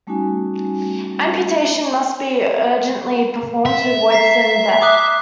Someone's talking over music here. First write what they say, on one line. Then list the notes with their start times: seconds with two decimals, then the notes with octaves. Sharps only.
Amputation must be urgently performed to avoid certain death.
0.07 G3 A3 C#4 D#4 F#4 G#5
3.66 E5
4.10 A#5 B6 C7
4.82 D6 D#6 F#6